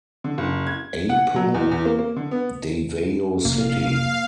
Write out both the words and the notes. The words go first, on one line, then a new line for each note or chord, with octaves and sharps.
Apo, Davao City.
D3
F#1
G#6
F#5
F#3
E2
E2
A#3
A#3
D3
B3
F1 A#3 F5